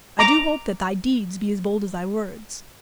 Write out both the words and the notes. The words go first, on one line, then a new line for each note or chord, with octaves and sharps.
"I do hope that thy deeds be as bold as thy words."
A#5 D6